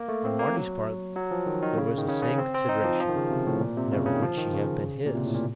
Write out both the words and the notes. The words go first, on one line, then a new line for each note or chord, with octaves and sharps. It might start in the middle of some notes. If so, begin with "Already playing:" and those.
On Marty's part there was the same consideration; never would she have been his.
Already playing: A#3
A3
C4
A#3
F#3
F#3
F3
D#3
D#3
C#3
D#3
C#3
C#3
C4
C4
D#4
F3
F3
D#3
C#3
C3
A2
A#2
C3
C#3
C#3
D#3
F3
D#3
C#3
A#2
C3
A2
A#2